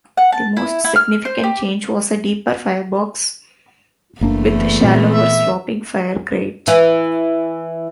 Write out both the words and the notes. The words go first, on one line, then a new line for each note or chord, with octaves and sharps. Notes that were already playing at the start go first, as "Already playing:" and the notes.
The most significant change was a deeper firebox with shallower sloping fire grate.
F#5
A5
E4
E4
F6
C5
G4
F#1 E2 A3 A#3 D4
A#2 C4
E5
E3